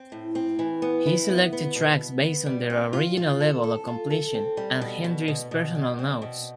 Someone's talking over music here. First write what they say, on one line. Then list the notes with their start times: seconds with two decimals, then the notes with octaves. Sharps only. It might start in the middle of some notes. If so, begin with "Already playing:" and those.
He selected tracks based on their original level of completion and Hendrix's personal notes.
Already playing: C4
0.12 A2
0.35 C4
0.59 E3
0.82 B3
1.06 E4
1.29 B3
1.53 B3
1.76 B2
1.99 B3
2.23 B3
2.46 G3
2.70 C4
2.93 F4
3.17 F4
3.40 A4
3.64 A4
3.87 F4
4.10 A4
4.34 C4
4.57 G3
4.81 B2
5.04 B2
5.28 B2
5.51 B2
5.75 G3
5.99 C4
6.22 B2